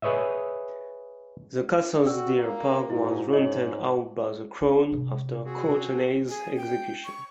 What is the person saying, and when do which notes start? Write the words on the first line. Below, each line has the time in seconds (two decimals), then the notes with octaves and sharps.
The castle's deer park was rented out by the Crown after Courtenay's execution.
0.02 G#4 B4 C#5 D#5 E5
2.06 F#4 D5 G5 E6
2.38 A#3
2.90 G#2 E4 F#4
3.33 G#2 C#5 D#5 F#7
4.61 D4
4.92 C3
5.45 C4 F#4 G#4
6.29 G#4
6.57 G5
7.05 C#6